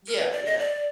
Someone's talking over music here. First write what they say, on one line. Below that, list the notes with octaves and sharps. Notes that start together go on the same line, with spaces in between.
Yeah, yeah.
A#4
B4
D5
D#5
D5